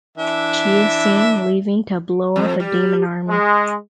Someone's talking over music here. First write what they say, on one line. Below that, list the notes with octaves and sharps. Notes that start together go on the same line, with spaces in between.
She is seen leaving to blow up a demon army.
E3 D4 E5
F2
G3
G#3